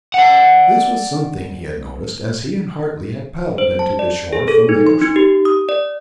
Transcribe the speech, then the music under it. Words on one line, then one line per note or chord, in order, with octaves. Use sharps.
This was something he had noticed as he and Hartly had paddled in to the shore from the ocean.
D5 F#5
C5
A5
D5
G#4
A4
D#4
C6
D#4
G4
D#6
D5